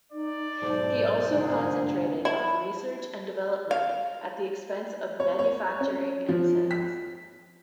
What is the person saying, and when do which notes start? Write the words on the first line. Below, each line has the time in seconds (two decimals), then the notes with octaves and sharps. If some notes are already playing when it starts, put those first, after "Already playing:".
He also concentrated on research and development at the expense of manufacturing and sales.
0.12 D#4 D5
0.62 B1 G#2 C5 A5 D6
1.33 G1 C2 G#4
2.25 E4
3.71 F5
5.20 C#5
5.39 C#5
5.80 C#4
6.29 F3
6.71 B6